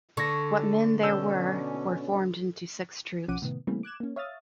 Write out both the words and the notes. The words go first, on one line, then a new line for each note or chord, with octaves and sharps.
What men there were, were formed into six troops.
D3 A4 C#6 G#6 A#6
B2 C#4 D4 A5 E6 G6
B1 F3 C#4 F#5 D6 D#7
A2 C3 D#3 B3
C#3 E3 G3 A3 A#3 C4
D6 F#6 G#6 E7
A#3 C#4
C#5 E5 F5 D#6 F6 A6